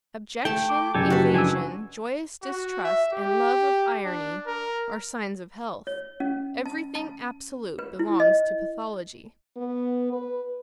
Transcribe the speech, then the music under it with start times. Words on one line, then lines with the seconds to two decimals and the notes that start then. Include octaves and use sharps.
Objection, evasion, joyous distrust, and love of irony are signs of health; everything absolute belongs to pathology.
0.45 A3 G5 A5
0.69 D6
0.94 F#1 G4 A4 G#5
1.10 F#4 B4
1.34 F3 D4 G#5 E6
2.43 F#4
2.84 E5
3.13 G4
4.05 D4
4.47 A#4
5.87 C#5
6.20 C#4
6.66 A5
6.95 A5
7.79 B4
7.99 E4
8.20 D#5
9.57 B3
10.12 B4